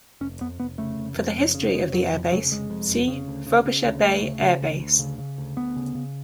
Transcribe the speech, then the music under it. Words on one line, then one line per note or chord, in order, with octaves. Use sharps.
For the history of the air base, see Frobisher Bay Air Base.
F1 C#4
F2 B3
F1 B3
C#3 A3
F1
F2
F1
C#3
F1 G#3
F2 F#3
F1 F3
C#3 F#3
F1 G#3
F2
F1
C#3
D2
C#3
C#3
D2
D2 A3
C#3
C#3
D2
D2
C#3
C#3
D2
D2 B3
C#3
C#3